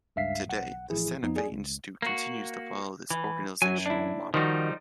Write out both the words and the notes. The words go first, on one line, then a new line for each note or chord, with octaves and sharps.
Today, the Santa Fe Institute continues to follow this organizational model.
C#2 G2 E5 F5 B6 C7
B1 F#5
A1 F3 E4 G#4
F2 F3 B3 D#4
G#4 D5 G#5
C#2
A#3 F#4
E3
F#2 F#3 G#5
D4 E4
D#3 F3 G3 D#4 F#4